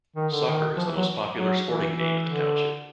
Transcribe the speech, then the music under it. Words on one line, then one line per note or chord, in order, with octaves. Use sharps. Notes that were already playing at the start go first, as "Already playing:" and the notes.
Soccer is the most popular sporting game in the township.
D#3
D3
D#3
F3
E3
F#3
F#3
E3
E3
D3